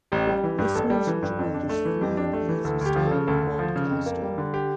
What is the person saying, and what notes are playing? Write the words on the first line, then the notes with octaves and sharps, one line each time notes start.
Listeners enjoyed his free and easy style of broadcasting.
A1 G4
G3
E3
G2
G4
A1 A4
G3
E3
G2
F2
D4
A3
E3
F2 G4
D4
A3
E3
D2 A4
D2 G4
F3
C#3 A4
D2 A4
D2
F3
C#3
F2
A#3
G3
D3
G4